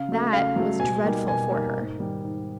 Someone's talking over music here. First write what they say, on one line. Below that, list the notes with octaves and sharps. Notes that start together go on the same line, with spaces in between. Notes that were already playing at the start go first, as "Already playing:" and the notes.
That was dreadful for her.
Already playing: C#3 F5
F#3 A3
C#3 F5
F#3 A3
B2 G#5
G3 A#3 D#4
B2 G#5
G3 A#3 D#4
G#2
D#3 G3
G#2